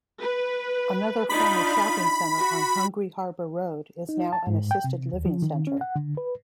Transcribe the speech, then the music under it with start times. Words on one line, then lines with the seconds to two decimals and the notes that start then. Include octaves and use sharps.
Another former shopping center on Hungry Harbor Road is now an assisted living center.
0.21 B4
1.29 D4 D#4 F4 B5
2.38 F#4
4.09 D#4
4.33 A5
4.47 G#2
4.71 G5
4.84 C3
5.13 D#2
5.26 F3
5.42 D#3
5.67 C#4
5.81 F#5
5.96 D3
6.17 B4